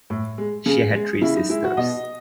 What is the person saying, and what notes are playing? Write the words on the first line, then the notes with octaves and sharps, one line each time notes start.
She had three sisters.
A2
G#3
C#3 G#4
G#3
C#3 E4
D#4
G#3 E4
F#4
B2 D#5